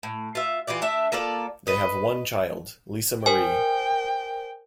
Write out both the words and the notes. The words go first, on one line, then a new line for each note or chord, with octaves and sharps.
They have one child, Lisa Marie.
A2
F4 E5
E3 F4 G4 D5
A3 D4 E5
A#3 F4 A4 D5
B4 D#5
A#4 C5 G5 G#5